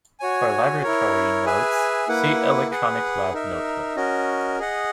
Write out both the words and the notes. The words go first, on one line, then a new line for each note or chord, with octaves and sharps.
For laboratory notes, see Electronic lab notebook.
F#4 C#5 G#5
E4 A#4 C#5
G#4 B4 E5 G#5
A#3 E4 B4 F#5
G#4 B4 F#5
D#4 A#4 E5
C#4 F#4 A#4 D#5
G#4 D#5 F#5